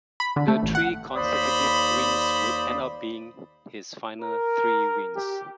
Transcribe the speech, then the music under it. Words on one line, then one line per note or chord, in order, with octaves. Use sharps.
The three consecutive wins would end up being his final three wins.
B5
D3
A3
A1
F#5
D#2 C5 D5 B5 D#6
A#4
G4